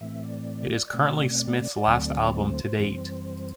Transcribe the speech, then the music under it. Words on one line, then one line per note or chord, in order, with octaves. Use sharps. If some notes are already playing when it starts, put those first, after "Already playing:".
It is currently Smith's last album to date.
A2 E3 A3 C4 E5
D5
B2 A3 C4
D5
D2 D3 F#3 A3 C4
C5
F#2 E3 G3 C4